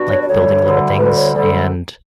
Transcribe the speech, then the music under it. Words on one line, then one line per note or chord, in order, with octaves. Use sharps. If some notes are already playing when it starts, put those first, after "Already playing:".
like, building little things, and
Already playing: B2 G3 D4 F#4
C#5
D5
D2 D3 G3 C#5
D2 D3 G3
D2 D3 G3 B4
C#5
D2 D3 G3 D5
A4